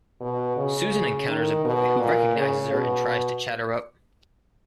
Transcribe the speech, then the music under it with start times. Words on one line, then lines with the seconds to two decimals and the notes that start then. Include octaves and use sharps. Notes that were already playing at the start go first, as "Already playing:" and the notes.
Susan encounters a boy who recognizes her and tries to chat her up.
0.20 B2
0.56 C#3
1.27 D#3
1.64 B2
1.99 A#2
2.36 C#3
2.72 B2